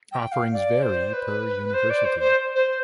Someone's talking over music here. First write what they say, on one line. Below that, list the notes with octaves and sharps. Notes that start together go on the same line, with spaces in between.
Offerings vary per university.
G5
F5
D5
C5
B4
C5
D5
C5
C5
C5